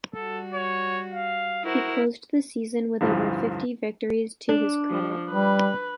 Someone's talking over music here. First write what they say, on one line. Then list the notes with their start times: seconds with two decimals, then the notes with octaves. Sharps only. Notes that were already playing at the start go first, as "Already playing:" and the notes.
He closed the season with over fifty victories to his credit.
0.14 G3 F#4 A4
0.54 C#5
1.14 F5
1.65 E4 F#4 A#4 C5
3.01 A1 D2 G2 E3 F3
4.49 D4
4.89 F3
5.30 G3 B4